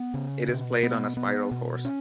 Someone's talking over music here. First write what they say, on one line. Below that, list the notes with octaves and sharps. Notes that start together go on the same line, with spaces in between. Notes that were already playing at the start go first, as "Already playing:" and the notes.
It is played on a spiral course.
Already playing: B3
C#3
B2
B3
B3
B2
C#4